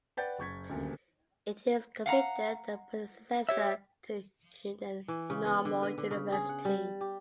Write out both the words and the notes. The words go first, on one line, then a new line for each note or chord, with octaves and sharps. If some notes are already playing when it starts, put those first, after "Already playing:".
It is considered the predecessor to Hunan Normal University.
B4 D5 F#5 G5 G6 A6
F#1 C#6 G#6 B6
D#1 D2 C#3 A#3
F5 F#5 A#5
G4 C#5 E5
E3
C#3
B3
D3
B4
D3
C#3
G#4
F#5
G3
G4